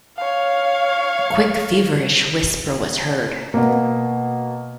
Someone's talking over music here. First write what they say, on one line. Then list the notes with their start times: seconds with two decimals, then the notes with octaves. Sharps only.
A quick, feverish whisper was heard.
0.17 C#5 F5
3.54 B2 A#3